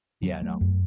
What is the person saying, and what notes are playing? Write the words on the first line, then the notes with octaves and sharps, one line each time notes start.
Yeah, no.
F#3
A3
F#2